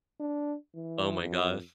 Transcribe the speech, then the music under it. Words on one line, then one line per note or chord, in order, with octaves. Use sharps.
Oh, my gosh.
D4
E3
F2